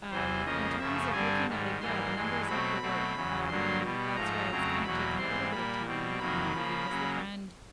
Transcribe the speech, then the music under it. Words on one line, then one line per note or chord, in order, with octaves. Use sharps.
Um, in terms of looking at it, yeah, the numbers have to work, um, and that's why it's kind of taken a little bit of time, um, because the friend
E2 C3 E3 C5
F2 C#3 F3 A#3 D#5
F#2 C#3 F3 A3 E5
G2 D3 G3 C4 G#5
G#2 D#3 G3
G#2 E3 G3 A#3 C6
G2 E3 G#3
B2 F#3 A3 C4 B5
B2 F#3 A3 C4
E2 C#3 F#3
G2 D3 F#3 A#3 C6
B2 G3 B3
G#2 F3 A3 A#5
F2 C#3 F#3 A3 C4
E2 B2 F#3 A#3 B5
G#2 E3 G3 C4 C6
A#2 G3 A#3 B5
B2 G3 C4
F2 C3 D#3 F#3 A#3 B5
C#3 F3 A#3
C#3 F#3 A#3